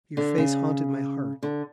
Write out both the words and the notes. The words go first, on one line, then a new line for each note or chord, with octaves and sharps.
Your face haunted my heart.
D3
C#3
D3